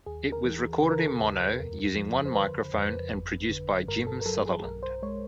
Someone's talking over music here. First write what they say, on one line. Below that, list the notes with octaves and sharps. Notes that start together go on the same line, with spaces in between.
It was recorded in mono using one microphone and produced by Jim Sutherland.
D#2 G#4
A#4
E3
C#3 B4
A#4
A4
A#4
D#2
F2
F3
C5
D3 B4
F2
G1
D3
G2 A#4
A4
A#4
F#3 A4
G#4
B1 A#4
C5
G#3 C#5